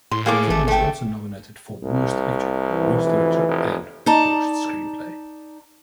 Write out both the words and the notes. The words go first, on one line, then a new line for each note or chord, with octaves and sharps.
The film was also nominated for Worst Picture, Worst Director, and Worst Screenplay.
A2 C6
A#3 G#4 A4 D6
G#1 A3
A3 G5
C2
E3
F1
F1
D#4 D5 A5 A#5